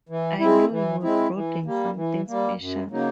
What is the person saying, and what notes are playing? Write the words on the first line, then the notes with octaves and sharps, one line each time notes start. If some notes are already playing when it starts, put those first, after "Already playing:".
I know you were brooding something special.
E3
G#3 C4 E4
E3
G#3 C4 E4
E3
G3 A#3
E3
G3 A#3
F#2
C#3 F#3 A#3 D#4